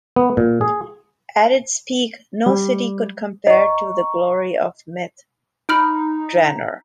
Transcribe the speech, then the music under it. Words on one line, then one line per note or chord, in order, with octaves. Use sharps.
At its peak, no city could compare to the glory of Myth Drannor.
B3
A#2
G#4
G3
D#5 A#5 C#6
D#4 B5 F6 D7